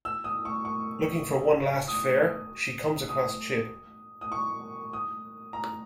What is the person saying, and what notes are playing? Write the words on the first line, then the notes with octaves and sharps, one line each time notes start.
Looking for one last fare, she comes across Chip.
E6
D#6
C#6
C#6
D#6
D#6
D#6
C#6
D#6
A#5